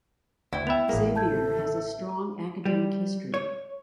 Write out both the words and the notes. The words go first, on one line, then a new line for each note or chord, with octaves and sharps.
Xavier has a strong academic history.
D2 E4 F#5 G5
B3 E5 G5 B5 F7
A1 A#3 G#4
A4 A5 G6 G#6
G3
C#5